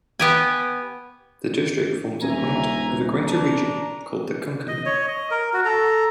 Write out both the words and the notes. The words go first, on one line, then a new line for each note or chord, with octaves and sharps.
The district forms part of a greater region called the Konkan.
B3 G4 G#5
D#1 E5 G#5 A#5
D4 A#5
D#5
C#5 D#5
D#5
A#4
F#4
A4 A#5